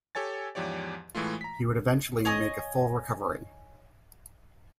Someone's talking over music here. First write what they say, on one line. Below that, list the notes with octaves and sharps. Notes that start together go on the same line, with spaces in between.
He would eventually make a full recovery.
G4 A4 C#5 G#5 A6
E2 G#2 F3 G4 C#5 D5
A2 E3 G#3 A3 F4
A#5 B6
C#5 D#5 G#5 D#6